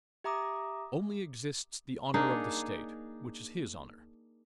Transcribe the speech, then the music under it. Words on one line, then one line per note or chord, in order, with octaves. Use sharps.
Only exists the honour of the State, which is his honour.
G4 E5 A#5 D6 D#6
A#3 D4 D#4 G#4